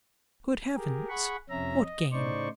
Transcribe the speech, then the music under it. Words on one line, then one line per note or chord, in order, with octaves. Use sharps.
"Good heavens--what game?"
G4 G#4 A#4
G#4 F#5 B5 C#6
F2 C3 C#4 E5 A#5
D#5
A2 C#3 D#4 C5 D5 C#6